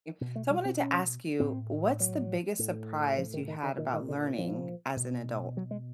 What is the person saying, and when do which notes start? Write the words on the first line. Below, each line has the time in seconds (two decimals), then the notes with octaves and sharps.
Mm, so I wanted to ask you, what's the biggest surprise you had about learning as an adult?
0.21 B2 B3
0.36 A3
0.50 G3
0.65 C4
0.81 C#4
1.40 A2 C4
2.00 F#3
2.59 A2
3.18 F3
3.34 D#3
3.48 D#3
3.63 D3
3.78 A#2 D#3
3.93 D#3
4.08 D3
4.38 F3
4.97 B2
5.57 F#3
5.71 G#3